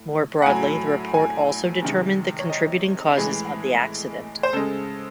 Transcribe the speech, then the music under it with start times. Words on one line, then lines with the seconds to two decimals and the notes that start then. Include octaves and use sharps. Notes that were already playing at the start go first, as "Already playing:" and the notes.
More broadly, the report also determined the contributing causes of the accident.
Already playing: A2
0.42 F#5
0.46 A2 F#3 G#5
1.14 G#5
1.82 C3 D#3 G#3
2.39 C#5
2.50 D#5
3.17 A2 E3 G#3 G#4
4.43 C5
4.53 C#3 G#3 A4